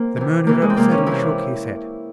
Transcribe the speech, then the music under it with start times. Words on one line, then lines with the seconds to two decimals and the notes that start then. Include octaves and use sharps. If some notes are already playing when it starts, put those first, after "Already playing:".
The murderer sadly shook his head.
Already playing: A#3 C4
0.17 C3 E3
0.47 C3 E3 A#3
0.62 G#3
0.70 C4
0.76 C3 E3 A#3
0.92 C#4
1.06 C3 E3 E4